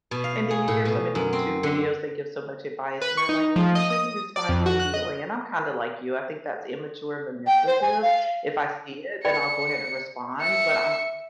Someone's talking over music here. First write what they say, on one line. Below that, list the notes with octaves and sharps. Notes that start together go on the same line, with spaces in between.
And then you hear so many YouTube videos, they give so much advice and they're like, "Well you shouldn't respond immediately." And I'm kinda like you, I think that's immature and manipulative. If I see it, then I'll go ahead and respond, but I'm
B2
F5
G#4
A2
B2
F#2
C4
D3
B4
C#6
D#4
F3
D#5
D#6
D5
F2
F#4
F#6
D#5
G5
C5
G#5
F5
D5 G5 B5 C#7
E5 C#7